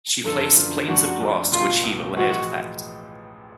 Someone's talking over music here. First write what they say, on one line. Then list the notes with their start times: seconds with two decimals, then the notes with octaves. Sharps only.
She placed planes of glass to achieve a layered effect.
0.24 F#2 D3 F3 B3 F4 A4
0.56 F#2 D3 F3 B3 F4
0.88 F#2 F3 A3 D4 F#4
1.20 F#2 F3 A3 D4
1.52 C#2 B2 A3 F4
1.84 C#2 B2 A3
2.16 A1 A2 F3 G#3 B3 F#4